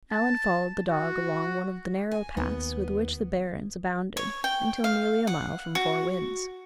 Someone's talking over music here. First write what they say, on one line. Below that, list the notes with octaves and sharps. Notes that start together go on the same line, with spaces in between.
Alan followed the dog along one of the narrow paths with which the barrens abounded until nearly a mile from Four Winds.
A5
F#4
G#5
D#2 B3
C#5
G5
F5
F#5
F#4